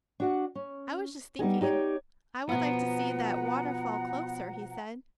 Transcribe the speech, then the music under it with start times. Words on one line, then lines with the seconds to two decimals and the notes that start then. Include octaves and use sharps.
"I was just thinking I would like to see that waterfall closer," he said.
0.20 D4 F#4 F#5
0.55 C#4
1.39 G3 B3 D#4 G#4
1.61 D#4 G4 C#5 D5
2.49 B2 F3 B3 F#5 A#5